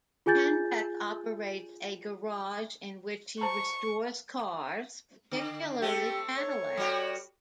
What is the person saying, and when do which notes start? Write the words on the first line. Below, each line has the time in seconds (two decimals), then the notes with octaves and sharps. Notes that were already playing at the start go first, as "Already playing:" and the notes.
Tenrec operates a garage in which he restores cars, particularly Cadillacs.
0.26 F4 G#4 G#5 G6 A6
3.41 C5 A5 A#5 C#6
5.31 D3
5.82 A3 C4 G4
6.38 C#5
6.77 G3 F#4 G4